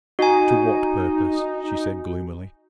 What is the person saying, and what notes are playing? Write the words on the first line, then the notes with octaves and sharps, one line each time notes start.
"To what purpose?" she said gloomily.
D#4 F#4 G#5